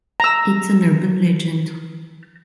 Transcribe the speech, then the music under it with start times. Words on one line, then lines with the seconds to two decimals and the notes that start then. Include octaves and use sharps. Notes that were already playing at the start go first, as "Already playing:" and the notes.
It’s an urban legend.
0.20 A#5 E6